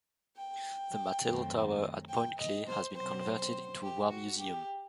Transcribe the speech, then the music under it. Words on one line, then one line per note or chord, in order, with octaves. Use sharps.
The Martello tower at Point Clear has been converted into a war museum.
G5
F#2 D#3 A3 C4
G5
D#5
C5
B2 F#3 C4 C5
C5
G4
F#4
G4